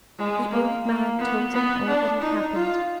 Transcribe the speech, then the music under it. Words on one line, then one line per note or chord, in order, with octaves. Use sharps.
The old man told him all that had happened.
G#3
A#3
A#3
B3
B3
D4
D#4
F4